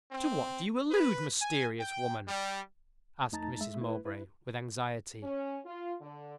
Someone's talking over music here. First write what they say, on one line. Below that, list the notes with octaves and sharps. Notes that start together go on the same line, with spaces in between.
"To what do you allude, mysterious woman?" asked Mrs. Mowbray, with anxiety.
C4
B4
G#5
G5
G3
F2 A3 D#4 A5 A#5 A6
G#3 E5
A3 E4 B4
E4 B4
C#4
F4
D3